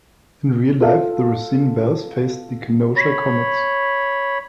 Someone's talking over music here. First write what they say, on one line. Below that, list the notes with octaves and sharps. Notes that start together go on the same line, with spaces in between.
In real life, the Racine Belles faced the Kenosha Comets.
F4 A4 F5
C#5 B5